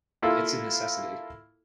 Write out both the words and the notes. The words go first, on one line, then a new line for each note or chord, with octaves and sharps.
it's a necessity.
A#3 E4 F4 A4